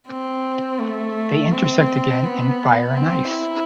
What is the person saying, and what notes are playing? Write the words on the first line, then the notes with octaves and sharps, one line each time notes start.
They intersect again in "Fire and Ice".
C4
A3
C4
B3
C4
E4